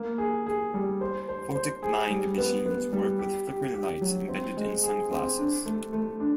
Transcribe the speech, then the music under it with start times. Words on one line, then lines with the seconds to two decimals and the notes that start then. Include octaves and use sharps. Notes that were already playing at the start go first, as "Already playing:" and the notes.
Photic mind machines work with flickering lights embedded in sunglasses.
Already playing: A#3
0.18 G#4
0.47 G#4
0.74 G3
1.01 C5
1.29 C5
1.55 C5
1.83 G#4
2.10 G3
2.38 B3
2.65 B3
2.93 G3
3.19 G4
3.47 G4
3.74 G4
4.01 F#3
4.28 C4
4.57 G#3
4.83 G#4
5.11 C4
5.38 D4
5.65 A3
5.93 A3
6.20 D4